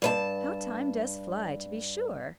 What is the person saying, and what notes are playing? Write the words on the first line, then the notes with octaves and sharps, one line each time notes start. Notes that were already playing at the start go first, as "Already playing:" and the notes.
How time does fly, to be sure!
G2 B4 A5